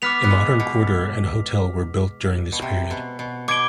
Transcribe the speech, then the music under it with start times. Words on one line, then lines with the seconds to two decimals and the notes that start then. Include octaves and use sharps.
A modern quarter and a hotel were built during this period.
0.02 B3 D6 F6 B6 F7
0.24 B3
0.30 G#3
0.60 B2
2.52 B2
2.62 C3
2.91 B2
3.19 B2
3.48 B2 D6 G#6 D7 G7